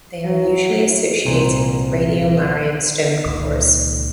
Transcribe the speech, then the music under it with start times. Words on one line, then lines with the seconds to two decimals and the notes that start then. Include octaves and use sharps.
They are usually associated with radiolarian stone cores.
0.25 F#3
1.25 C2 A#2 C5
3.26 C#2 A#2 D#3